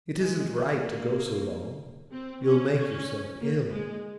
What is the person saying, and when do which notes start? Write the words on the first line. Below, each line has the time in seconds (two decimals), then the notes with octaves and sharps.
It isn't right to go so long; you'll make yourself ill.'
0.20 G#3
0.51 A#3
2.12 C4
2.44 C#4
2.75 C#4
3.40 A#3
3.71 G#3